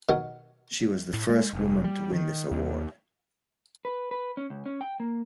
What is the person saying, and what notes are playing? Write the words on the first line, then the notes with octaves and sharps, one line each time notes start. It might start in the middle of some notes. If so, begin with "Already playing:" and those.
She was the first woman to win this award.
B2 D#3 F#3
A2
G#3
F1
G3
D#3
D#2
B4
B4
C#4
C#2
C#4
G5
A#3